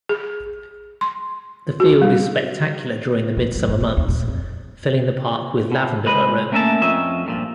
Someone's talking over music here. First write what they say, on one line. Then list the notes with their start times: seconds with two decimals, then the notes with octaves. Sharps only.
The field is spectacular during the midsummer months, filling the park with lavender aroma.
0.09 G#4
1.01 C6
1.80 F#4
2.02 G3
3.37 F3
3.55 F#3
3.68 G1
3.81 D#2
3.97 D#2
4.08 A#2
4.28 F2
5.72 B2
6.06 G#3 B4 C5 D#5 B5
6.52 A3 A#3 C#4 A#4 E5 A5
6.82 F2 C#4 D#5 E5
7.26 G2 A#2 F3